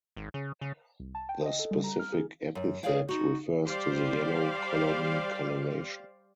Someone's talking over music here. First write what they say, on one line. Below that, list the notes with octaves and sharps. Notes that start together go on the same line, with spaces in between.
The specific epithet refers to the yellow colony colouration.
G#1
C#3
C#3
C2
A5
G5
D#5
A4
G3
A#5
F6
G#4
F#2
G#4 A#4 C#5 D5 F5 G5
D#4 F#4
G3 G4 C5 D5 F5